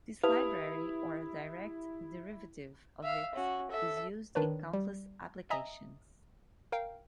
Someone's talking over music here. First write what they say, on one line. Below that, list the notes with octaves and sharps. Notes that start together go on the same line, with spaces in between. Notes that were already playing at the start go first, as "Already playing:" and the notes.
This library or a direct derivative of it is used in countless applications.
E4 G4 B4 F5 A5 D#6 F7
E5 F5
C#4 F#4
A4 E5
D#3 D4 B4 C#5
G3
D#5 E5 G#5 A#5 D#6
A#4 F5 G5